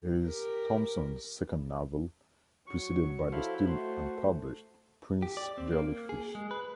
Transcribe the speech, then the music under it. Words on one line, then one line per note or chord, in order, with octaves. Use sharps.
It is Thompson's second novel, preceded by the still-unpublished "Prince Jellyfish".
G4 A#4
F#3 C#6
E4 A4 C5 F5
A3 F#4 C5
G4
D5
C4
A#3
G#4
G#3
B4